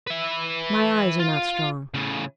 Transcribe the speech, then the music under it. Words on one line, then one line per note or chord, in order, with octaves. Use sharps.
"My eyes are not strong."
B4 E5
F4
A2 C#3